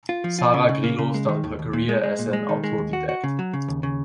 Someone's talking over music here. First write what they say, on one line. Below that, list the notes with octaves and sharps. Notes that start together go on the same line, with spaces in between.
Sarah Grilo started her career as an autodidact.
F4
F3
F4
C#3
C#3
A#3
C#3
G#3
D#3
D#2
D#2
A#2
G#3
G#3
A#2
G#3
D#3
G#3
D#2
F#4
F#4
C#3
F#3
C#3
D#2
C#3